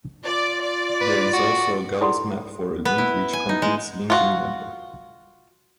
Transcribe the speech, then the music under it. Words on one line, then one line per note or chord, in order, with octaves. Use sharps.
There is also a Gauss map for a link, which computes linking number.
F4 D5
D5
B4
F#4
E4 A4 D5 F#5 B5 C6
B3
E4
G#5
D#4
G#3
F4 F#4